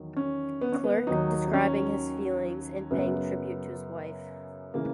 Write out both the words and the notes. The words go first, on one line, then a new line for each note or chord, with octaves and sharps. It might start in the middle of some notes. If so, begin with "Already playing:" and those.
Clerk, describing his feelings and paying tribute to his wife.
Already playing: E2 D#3 F#3
C#4
B3
C#4
B3
D#2 D#3 F#3 D#4
D#4
C#4
F#2 C#3 F#3 B3
C#3 E3 A#3